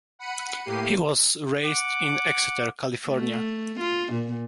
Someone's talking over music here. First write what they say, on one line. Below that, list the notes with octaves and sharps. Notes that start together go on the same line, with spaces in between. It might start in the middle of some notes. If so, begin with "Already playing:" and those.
He was raised in Exeter, California.
F#5 B5 C#7 D#7
A2 A#3 G4 C7 D#7
F#5 D6
A3
F4
A#2